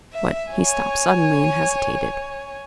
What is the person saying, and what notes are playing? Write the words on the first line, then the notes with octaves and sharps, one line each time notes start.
But he stopped suddenly and hesitated.
E5
C#5 G#5